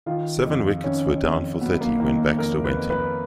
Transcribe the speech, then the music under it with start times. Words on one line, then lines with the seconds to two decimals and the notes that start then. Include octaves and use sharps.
Seven wickets were down for thirty when Baxter went in.
0.06 D#3 F4
0.45 F2
0.84 D#3 C#4
1.23 F2
1.61 F#3 B3
1.81 A#3
2.00 D#3 A#3
2.39 F2 A#4
2.64 B4
2.77 F2
2.90 B4